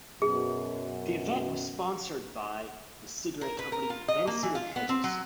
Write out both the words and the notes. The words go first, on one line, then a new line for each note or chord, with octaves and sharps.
The event was sponsored by the cigarette company Benson and Hedges.
F#2 B2 G#4
A#4
B4
A#4
F4
D#5
A#3
E3
F4
B3
C4
F#3